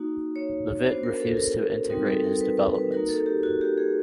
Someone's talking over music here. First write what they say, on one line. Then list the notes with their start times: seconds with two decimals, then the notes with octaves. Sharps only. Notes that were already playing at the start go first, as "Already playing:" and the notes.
Levitt refused to integrate his developments.
Already playing: A#3 D#4 F#4
0.36 C#5
0.86 B3 D4 F#4 C5
1.03 A#4
1.20 A4
1.37 A#4
1.89 G3 C4 D#4 F#4 A#4
2.07 A4
2.24 A#4
2.41 B4
2.57 B4
2.75 B4
2.92 A#3 D#4 F#4 A#4
3.09 A4
3.26 G4
3.43 F#4
3.61 G4
3.78 G#4